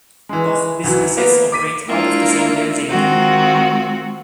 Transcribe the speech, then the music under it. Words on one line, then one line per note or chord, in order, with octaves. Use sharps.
Both businesses operate out of the same building.
E3 G#3
D2 E3 F#3
A#3 B3
D6 B6 D#7
G#3 A#3 D4 E4 F4 A#4
D#3 G#3 C4 F4 F#4